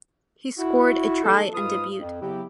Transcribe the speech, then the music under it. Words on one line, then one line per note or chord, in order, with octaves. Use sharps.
He scored a try on debut.
E4 F#4
F3 G3 A#3 D#4 A4
G#2 G#3 F4 B4 F5 D#6
F2
C#3 F#3 B3 E4 G4